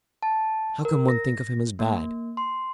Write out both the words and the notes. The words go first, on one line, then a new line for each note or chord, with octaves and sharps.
How can one think of him as bad?
A5
A#4
A#6
A#3
C6